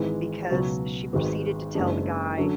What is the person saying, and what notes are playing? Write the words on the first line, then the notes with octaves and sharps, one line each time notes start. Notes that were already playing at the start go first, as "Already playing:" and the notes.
because she proceeded to tell the guy,
Already playing: G#1 G#2 E3 G#3
C#2 B2 F#3
G#1 G#2 G#3 B3 F#4
F#1 F#2 E3 G#3 D4
D3 F#3 C#4